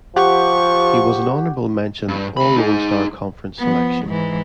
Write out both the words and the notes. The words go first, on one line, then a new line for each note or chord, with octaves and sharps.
He was an Honorable Mention All Lone Star Conference Selection.
F3 G4 F#5 C#6
G2
D2 B5
D#4 G#4
F3 B3
G#2 E3